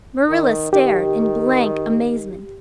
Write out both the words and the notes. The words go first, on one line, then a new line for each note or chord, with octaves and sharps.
Marilla stared in blank amazement.
D#3
D#3 G4